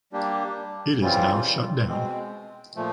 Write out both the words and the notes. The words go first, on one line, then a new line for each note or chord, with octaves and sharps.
It is now shut down.
G3 A#3 D4 G4
C#3 E3 G3 C4 F4
B2 G#3 C4
A#2 F3 A3